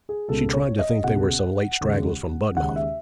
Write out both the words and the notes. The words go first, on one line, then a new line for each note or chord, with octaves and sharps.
She tried to think they were some late stragglers from Budmouth.
G#4
C#2 B2 G#3 A4
C#5
D#5
C#2 B2 G#3 F#5
D#2 C#3 G#3
D#2 C#3 G#3 F#5
E5